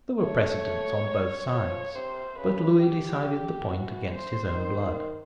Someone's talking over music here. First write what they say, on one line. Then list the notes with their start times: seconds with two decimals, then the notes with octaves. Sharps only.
There were precedents on both sides: but Lewis decided the point against his own blood.
0.21 A3 C#5
1.51 F3 C#5
1.95 C3 C5
2.38 C#3 B4
2.81 G4
3.68 E3 F#4
4.12 C5
4.55 D#3